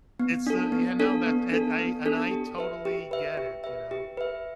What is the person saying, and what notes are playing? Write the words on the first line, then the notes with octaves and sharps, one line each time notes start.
It's a you know that that I and I totally get it, you know,
B3
D4 A4
B3
D4 A4
B3
D4 A4
B3
D4 A4
G4
B4 E5
G4
B4 E5
G4
B4 E5
G4
B4 E5